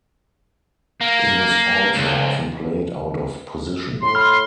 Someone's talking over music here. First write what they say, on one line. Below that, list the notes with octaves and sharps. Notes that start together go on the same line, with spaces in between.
He was also often played out of position.
A#3
C#2
A2 C6
B5 F6